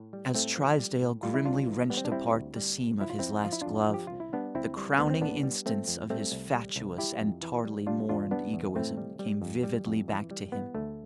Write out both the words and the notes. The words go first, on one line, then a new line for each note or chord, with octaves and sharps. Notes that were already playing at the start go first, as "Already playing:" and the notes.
As Trysdale grimly wrenched apart the seam of his last glove, the crowning instance of his fatuous and tardily mourned egoism came vividly back to him.
Already playing: A2
G3
A2 A3 C4
F3
G3
A2
G3 F4
E4
C2 D4 F4
E3
G3 B3
C4
D4
G3 C4 E4
D2
G3
C2
F3 E4
F4
F2 C4 E4
F3 F4
E4
F2 D4 F4
F3 G4
C2 F4
E4
G3 B3 D4
D2 C4 E4
G3
D2 B3
C4
A2 B3 D4
G3
F3 A3 C4
F2
G3 A3 C4
C2
G3
C2
G3 E4 G4
F2
E3
G3
G3 D4 F4
E2 D4 F4
G3 B3 D4
E2
A2 A3 C4
G3
G3
F2
G3
F2
E3
G3
E3 B3
D2 A3